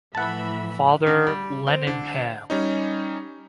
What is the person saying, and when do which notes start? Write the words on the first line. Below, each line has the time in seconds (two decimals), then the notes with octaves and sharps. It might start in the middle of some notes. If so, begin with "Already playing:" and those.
Father Lenihan.
0.15 A2 E3 F3 E5 F#5 A5 B5
1.07 D3
1.27 G3
1.67 C4
1.87 D3
2.50 G3 C#4 D#4